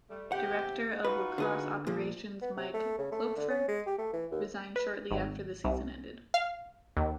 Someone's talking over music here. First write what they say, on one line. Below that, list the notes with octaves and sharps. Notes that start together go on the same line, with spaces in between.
Director of Lacrosse Operations Mike Kloepfer resigned shortly after the season ended.
G3 A3
D#2 C3 G4 F#5
D#4 F4 F#4 B4
D3 G#4 B4
A#2 F3 A3 D4
B3
C3
A3
C#3
A3
D3
C#4
G#3
G4
A3
E3
D#2
B4
G#1
C2
F5
D#2